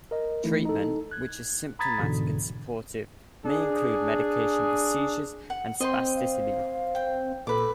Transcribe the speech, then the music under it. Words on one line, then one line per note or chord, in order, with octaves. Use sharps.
Treatment, which is symptomatic and supportive, may include medication for seizures and spasticity.
A#4 D#5
E3 A3 D#4 E4
D#4 A4
F#6 G#6
A#5 B5 D#6 G#6 A6 B6
C#2 G#2 B2 D3 E3
D4 G#4
F#5
C4 D#5 G5 C6
F5
G5
A#1 A4 B4 D6